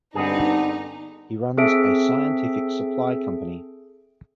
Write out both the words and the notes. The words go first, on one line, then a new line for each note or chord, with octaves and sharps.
He runs a scientific supply company.
G2 D3 B3 C4 D#4 G#4
C4 G#4 A4 E5 D7